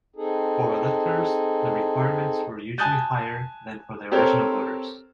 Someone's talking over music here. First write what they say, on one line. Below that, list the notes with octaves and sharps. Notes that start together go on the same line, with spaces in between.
For electors, the requirements were usually higher than for the original voters.
C4 D#4 G#4 A4
G#5 A5 D#6 F#6 G6 A6
C4 G4 A4 A#4 C5 C#5